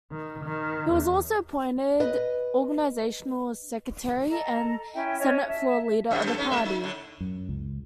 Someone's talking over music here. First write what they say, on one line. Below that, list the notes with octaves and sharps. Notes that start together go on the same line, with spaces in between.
He was also appointed organisational secretary and Senate floor leader of the party.
D#3
D#3
E2
B4 D#5
A4 D#5 A#5
C#4 E4 E5 G5
C#4 C#5 D#5
E5 A5
F#2 A2 C3
F#2 A4
C#4 D#4
G#3 E5
D#4
A2 D3
F#2
C#2